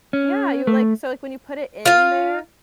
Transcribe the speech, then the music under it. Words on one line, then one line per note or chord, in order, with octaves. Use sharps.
Yeah, you like, so, like, when you put it in there,
C#4
A3
F4 F5